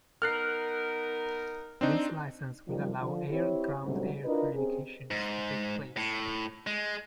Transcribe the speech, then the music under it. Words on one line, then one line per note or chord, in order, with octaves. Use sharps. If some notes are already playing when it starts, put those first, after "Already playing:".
This license will allow air-ground-air communications to take place.
B3 D#4 A#4 F6 F#6 C7
C4 D4 D#4
F#2 D#3 F3 G3
D3 F3
C4 E4 G4 C#5
D2 G#2 C3 F#3 G3 C#4
D4 E4 F4 A#4 B4 D#5
C4 C#4 G4 G#4
G#2
A2
G#3